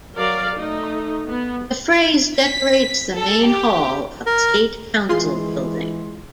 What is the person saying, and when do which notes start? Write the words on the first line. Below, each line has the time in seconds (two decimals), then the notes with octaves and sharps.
The phrase decorates the main hall of State Council Building.
0.15 F#3 A#4 D5 F5
0.56 A3 D#4
1.29 B3
2.38 B6
3.16 A4
3.46 G4
4.26 A#4
5.09 E3 G#3 F4 G#4 C6